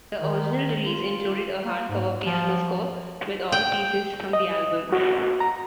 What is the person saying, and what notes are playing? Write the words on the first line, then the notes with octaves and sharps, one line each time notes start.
The original release included a hard-cover piano score with all pieces from the album.
D#3
F4
A#3
G#2
F3
G5
D#5
F#4
A#5